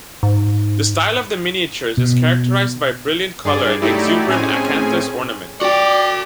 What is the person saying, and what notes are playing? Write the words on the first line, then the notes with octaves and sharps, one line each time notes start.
The style of the miniatures is characterized by brilliant colour and exuberant acanthus ornament.
G#2
B2
G2 G#4 D5
F#3 A3 D#4 E4 G4 D5
A2 C4 C#4 G#4 G#5
F#4 D5 G5